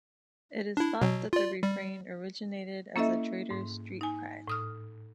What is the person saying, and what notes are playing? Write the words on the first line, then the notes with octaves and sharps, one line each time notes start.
It is thought that the refrain originated as a trader's street cry.
D4 E4
B2 F#3
F4 D5
G3
A#3 C#4 E4 A4 D#5 E5
G#2
D#4 G#5
A2 D#6 F6